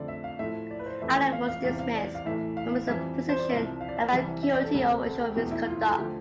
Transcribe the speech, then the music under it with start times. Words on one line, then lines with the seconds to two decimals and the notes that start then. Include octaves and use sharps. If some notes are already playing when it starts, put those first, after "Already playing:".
Allen was dismissed from his position and found guilty of official misconduct.
Already playing: F2 D3 A3 D5
0.08 E5
0.24 F5
0.39 A2 F3 A3 E5
0.71 D5
0.79 B4
0.86 C5
1.02 F2 E3 A3 E5
1.32 F5
1.48 F5
1.64 E2 C3 G3 F5
1.79 F5
1.95 D5
2.15 F5
2.26 A2 E3 A3 E5
2.57 F5
2.73 F5
2.87 F2 E3 G3 E5
3.29 C5
3.39 D5
3.49 C2 C3 F3 E5
3.81 F5
3.88 D5
3.97 E5
4.12 C2 C3 E3 G3
4.43 E5
4.53 D5
4.64 A4
4.74 D2 C3 G3
5.05 A4
5.20 G4
5.36 E2 B2 A3 G4
5.51 E4
5.67 F4
5.77 F4
5.88 A4
5.98 D3 F3 A3 G4